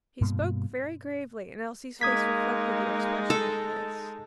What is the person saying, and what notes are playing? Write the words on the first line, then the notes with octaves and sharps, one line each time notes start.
He spoke very gravely and Elsie's face reflected the expression of his.
G2 B2 A#3
G#3 A#3 D#4 D#6 G#6 B6
A4